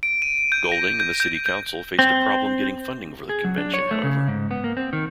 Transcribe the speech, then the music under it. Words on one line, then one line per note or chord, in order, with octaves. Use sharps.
Golding and the city council faced a problem getting funding for the convention, however.
D7
D#7
G6
A#6
G6
G6
G6
C4
G#4
F#3
D4
C#5
A3
C#3
G#2
B3
A#3
C4
D#3